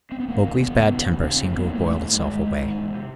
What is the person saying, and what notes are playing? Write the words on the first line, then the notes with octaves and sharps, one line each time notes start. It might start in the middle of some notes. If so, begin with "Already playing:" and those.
Mowgli's bad temper seemed to have boiled itself away.
C4
B3
E1 A#3
D#2 C#3
E1 B3
D#2 C#3
E1
E2 C#3
E1 C4
E2 C#3
G#1 B3
A#3
G#2
A3
G#1 A3
G#2
G#1 G#3
G#2
G#1
G#2
E1
C3